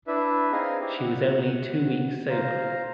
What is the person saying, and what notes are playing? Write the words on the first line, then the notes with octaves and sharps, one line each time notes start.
She was only two weeks sober.
D4 E4 B4 E5
C4 D#4 G#4 D#5 F5 G#5
C4 E4 G4
F#5
C5 F5 A#5